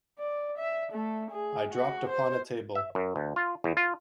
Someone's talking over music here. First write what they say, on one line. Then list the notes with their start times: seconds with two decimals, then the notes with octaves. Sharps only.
I dropped upon a table.
0.18 D5
0.58 E5
0.92 A3
1.31 G#4
1.72 F#4
2.09 C5
2.75 E5
2.95 F#2
3.16 D2
3.36 F4
3.64 E2
3.77 F4